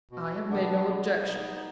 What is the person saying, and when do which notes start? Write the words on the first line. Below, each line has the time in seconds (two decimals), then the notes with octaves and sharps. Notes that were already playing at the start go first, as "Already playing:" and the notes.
"I have made no objection."
0.11 B2
0.49 G3 B3 D4
0.86 B2
1.25 B3 D#4